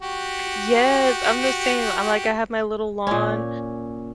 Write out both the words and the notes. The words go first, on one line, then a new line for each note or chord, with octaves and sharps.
Yes, I'm the same, I'm, like, I have my little lawn
F#4 G4
A#2 C#4